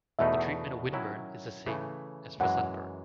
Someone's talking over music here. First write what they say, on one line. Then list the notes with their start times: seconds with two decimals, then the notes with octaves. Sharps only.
The treatment of windburn is the same as for sunburn.
0.19 E2 B2 A3 D#4 E5
0.93 D#3 F#3 C#4 E4
1.66 C#3 E3 A3
2.40 F#2 E3 G#3 F#5